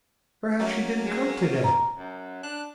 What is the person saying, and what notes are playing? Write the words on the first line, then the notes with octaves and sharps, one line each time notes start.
"Perhaps she didn't come today."
F#3 A#3 C#4
G#3
A#5
F#2
D4 F#6